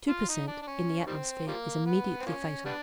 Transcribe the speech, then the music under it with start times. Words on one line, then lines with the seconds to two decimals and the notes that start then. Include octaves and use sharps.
Two per cent. in the atmosphere is immediately fatal.
0.09 F4
0.28 D#4
0.48 D4
0.62 D4
0.67 C#4
1.00 C#4
1.07 D#3 G3 C4
1.47 F3 G3 A#3
1.86 B3
2.20 C4
2.26 F3 A#3 C#4
2.65 G3 B3 D4